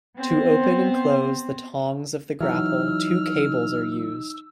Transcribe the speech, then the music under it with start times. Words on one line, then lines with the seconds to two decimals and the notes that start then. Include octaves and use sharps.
To open and close the tongs of the grapple, two cables are used.
0.16 B3 C4 C5
2.41 E3 F#3 D#4 E6 F6